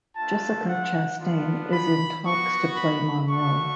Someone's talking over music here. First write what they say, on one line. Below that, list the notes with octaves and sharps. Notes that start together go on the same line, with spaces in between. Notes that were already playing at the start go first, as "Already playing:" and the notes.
Jessica Chastain is in talks to play Monroe.
A3 D4 F4 A5
F#5
B3 D4 F4
B5
B3 F#4 C#6
B5
A3 D4 F#4 C#6